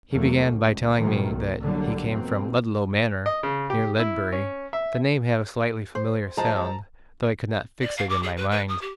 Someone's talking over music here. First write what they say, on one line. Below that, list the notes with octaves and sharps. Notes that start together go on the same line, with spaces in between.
He began by telling me that he came from Ludlow Manor, near Ledbury. The name had a slightly familiar sound, though I could not fix it in my mind.
E2 F#3 A3 A#3
C#2
A#2 D#3 F#3 A3 A#3 C4
C2
C2 D3 F#3 G3 A#3
F2 B2 A#3 C4
D#5
C#3
G4
E4
C#4
E5
C5
F3 G#3 A5 A#5
D5
F5
D6
G#4
B4
B4
D#6
G4